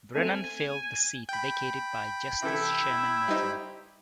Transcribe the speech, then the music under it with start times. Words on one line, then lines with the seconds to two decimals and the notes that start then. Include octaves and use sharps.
Brennan filled the seat vacated by Justice Sherman Minton.
0.15 A3 C4 G#5
1.29 G5 B5 G6
2.42 C3 E3 E4 A4
3.28 G3 D#4 G4 C5 E5